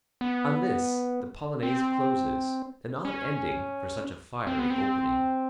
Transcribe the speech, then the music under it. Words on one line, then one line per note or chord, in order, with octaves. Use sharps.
On this the Polonaise closes, an odd ending for such a fiery opening.
B3
C4
C#4
C4
B3
C4